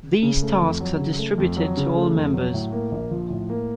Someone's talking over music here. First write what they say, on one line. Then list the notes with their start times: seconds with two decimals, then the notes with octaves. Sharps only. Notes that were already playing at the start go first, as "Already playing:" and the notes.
These tasks are distributed to all members.
0.23 C#3
0.42 A3
0.61 F2
0.80 F#3
0.99 C#3
1.19 A3
1.38 F2
1.57 F#3
1.77 C#3
1.96 A3
2.14 F2
2.34 F#3
2.54 A2
2.72 A#3
2.92 A#1
3.11 F3
3.30 A2
3.50 A#3